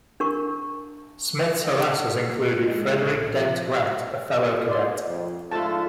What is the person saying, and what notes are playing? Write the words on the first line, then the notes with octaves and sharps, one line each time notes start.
Smith's harassers included Frederick Dent Grant, a fellow cadet.
D4 A#4 C#6
G#3
A#1
F3
D5 D#5 C6
F2
G#2 D3 F3 A3 F4 A5